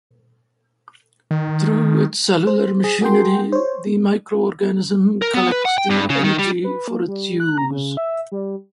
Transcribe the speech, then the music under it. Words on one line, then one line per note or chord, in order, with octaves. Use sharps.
Through its cellular machinery, the microorganism collects the energy for its use.
D#3
C5
G#4
F#4 G#4 A#4 G5 C6
C5 C#5
A#4
B3
B4
F#5
G5
G2
C#3
D#3
G3
B4
A#3
G3
F#6
A#5
C#3
E5
G3